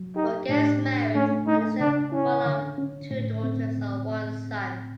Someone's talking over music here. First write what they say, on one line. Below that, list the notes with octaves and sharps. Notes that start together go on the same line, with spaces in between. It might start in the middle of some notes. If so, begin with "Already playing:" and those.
Vogel is married and is the father of two daughters and one son.
Already playing: F#3
D#4 G4
A2 D4
D4
A3 C#4
A3 D#4
C#3 D4
C#4 E4
D3
C#4
A2
C4